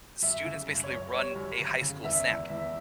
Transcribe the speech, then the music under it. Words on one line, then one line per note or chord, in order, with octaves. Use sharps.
Students basically run a high school Snap,
F#2 E5
C#3
F#2
C#5
F#2
G3 C#5
F#2
C#3
C#3
E2 E5
E2
E2 E5